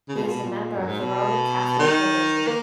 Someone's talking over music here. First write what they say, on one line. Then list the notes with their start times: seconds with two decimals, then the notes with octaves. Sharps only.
He is a member of the Roman Catholic religion.
0.09 C#3
0.16 B2
0.23 A#2
0.30 B2
0.43 A#2
0.77 F#2
0.88 G#2
0.99 B2
1.79 D#3
2.47 A#3